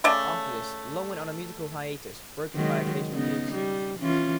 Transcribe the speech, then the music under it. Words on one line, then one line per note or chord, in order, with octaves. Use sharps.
After this, Long went on a musical hiatus, broken by occasional gigs.
C#3 A3 D5 A5
D#3 F#3 G#3
C#3 B3 D#4
G3
E3 C#4 F4